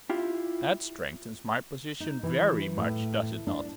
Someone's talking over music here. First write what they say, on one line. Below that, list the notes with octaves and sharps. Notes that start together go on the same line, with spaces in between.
That strengthens my position very much, does it not?
E4 F4 G4
D#4
E3
A2
D4